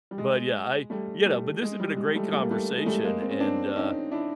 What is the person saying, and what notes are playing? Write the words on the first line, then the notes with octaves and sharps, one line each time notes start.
But, yeah, I, you know, but, this has been a great conversation and, uh,
G3
G#3
G3 A3
G3 A3
G#3
G3
G#3
G3 A3
G3 A3
A#3
G3 A3
G#3
G3 A3
G#3 A#3
C4
C#4
C4 D4
C#4 D#4
D4 E4